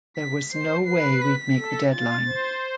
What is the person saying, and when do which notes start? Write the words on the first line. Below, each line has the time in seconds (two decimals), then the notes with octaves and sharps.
There was no way we'd make the deadline.
0.17 B6
0.52 C5 C7
0.87 B4 C7
1.22 B6
1.57 A4
1.91 F4 A6
2.26 C5